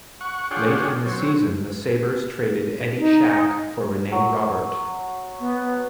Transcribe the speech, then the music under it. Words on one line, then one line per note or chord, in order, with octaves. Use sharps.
Late in the season the Sabres traded Eddie Shack for Rene Robert.
F#5 C#6
D4 F4 G#4 C#5 F#5 G5
F#3 C4 C#5
D#4
F#3
B3